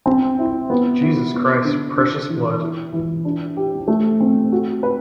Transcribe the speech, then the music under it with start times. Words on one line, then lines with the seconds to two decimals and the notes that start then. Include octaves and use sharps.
Jesus Christ, Precious blood!
0.06 C4
0.38 E4
0.70 B3
1.02 E4
1.34 B3
1.65 D3
1.97 D4
2.29 E3
2.61 E4
2.93 E3
3.25 D4
3.57 G4
3.88 A3
4.20 C4
4.52 F#4
4.83 B4